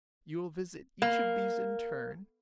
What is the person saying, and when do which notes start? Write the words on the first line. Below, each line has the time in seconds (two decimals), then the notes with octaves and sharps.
"You will visit each of these in turn."
1.02 A#3